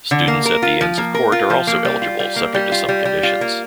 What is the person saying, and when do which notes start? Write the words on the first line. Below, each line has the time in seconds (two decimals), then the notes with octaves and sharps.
Students at the Inns of Court are also eligible subject to some conditions.
0.11 D3
0.28 A#3
0.46 A#4
0.62 F4
0.81 F3
0.98 A#3
1.15 A#4
1.32 F4
1.50 F3
1.67 A#3
1.85 G3
2.02 F4
2.20 G3
2.36 A#3
2.54 G3
2.72 F4
2.89 G3
3.05 G3
3.23 F4
3.41 A#3